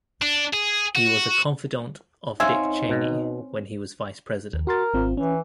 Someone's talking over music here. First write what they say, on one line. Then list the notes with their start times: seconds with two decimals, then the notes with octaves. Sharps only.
He was a confidant of Dick Cheney when he was Vice President.
0.22 D4
0.53 G#4
0.96 F#4
2.40 C4 C#4 D#4 E5 F5 G#5
2.89 B2
4.53 D#2
4.67 F#4 A#4 C6 A6
4.94 G#1 C4 F4
5.17 E3 C#4